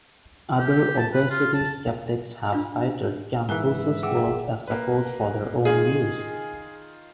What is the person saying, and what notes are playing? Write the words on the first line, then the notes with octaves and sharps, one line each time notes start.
Other obesity skeptics have cited Campos's work as support for their own views.
G4
A5
B4
F4
A5
D4 F4
G#2 E3 A#4 E5 F#6
G#4 F#5 G5 D6 E6
A#3 B4
D#3 F4 G#4